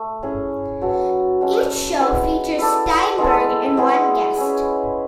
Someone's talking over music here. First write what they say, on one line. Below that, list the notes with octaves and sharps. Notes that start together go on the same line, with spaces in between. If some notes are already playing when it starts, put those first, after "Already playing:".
Each show features Steinberg and one guest.
Already playing: A3
C#4 E4 G#4
F#3 B3 F#4 A4
G#3 C#4 F#4 A4
G#3 B3 E4
E4 A4 D5
G#3 B3 E4 A4
G#3 B3 E4 G#4
C#4 E4 G#4